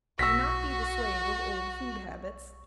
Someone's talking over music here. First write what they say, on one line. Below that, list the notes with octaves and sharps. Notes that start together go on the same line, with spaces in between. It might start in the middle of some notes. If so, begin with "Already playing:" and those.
Do not be the slave of old food habits.
B1 F#4 C#6 E6 A#6 B6